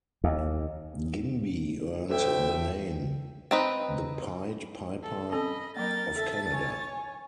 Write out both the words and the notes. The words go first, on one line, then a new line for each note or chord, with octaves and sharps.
Gimby earned the name the "Pied Piper of Canada".
D#2
D2 A2 E5 G5
C4 D#4 B4
A4
C4 C#4 A4 D#5 B5
F#3 A#3 A#4 G5 A6
A4 E5 A5
C#5 G#5